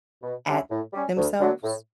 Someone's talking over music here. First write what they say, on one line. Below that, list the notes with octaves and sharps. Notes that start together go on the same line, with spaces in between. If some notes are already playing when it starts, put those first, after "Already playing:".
at themselves,
B2
G3 C#4 E4
A2
G3 C#4
D2
D3 F#3
A2